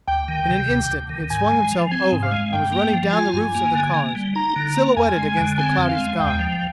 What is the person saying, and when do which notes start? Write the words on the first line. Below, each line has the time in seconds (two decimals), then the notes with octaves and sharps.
In an instant he had swung himself over and was running down the roofs of the cars, silhouetted against the cloudy sky.
0.07 D2 G5
0.28 D#3
0.49 C3
0.69 D2
0.89 D2
1.09 D#3
1.30 G#2 G#5
1.51 G#3
1.72 F3
1.91 C4 G#5
2.12 G#2
2.22 F5
2.32 G#3
2.53 G2 G5
2.72 A#3
2.93 F3
3.13 F4 G#5
3.33 G2
3.55 A#3
3.75 D3
3.94 A#3
4.15 G3
4.35 D#4 A#5
4.56 D3
4.76 A#3
4.96 F2 G#5
5.17 G#3
5.37 D3
5.58 C4 G#5
5.78 F2
5.89 F5
5.98 G#3
6.19 D#2 G5
6.39 F3